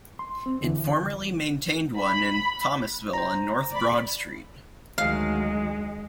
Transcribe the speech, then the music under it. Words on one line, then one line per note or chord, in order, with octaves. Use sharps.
It formerly maintained one in Thomasville on North Broad Street.
C6
C4
E2 D3 E3
B5
C5 A#5
D5 B5
D2 D#3 F#3 G#3 F5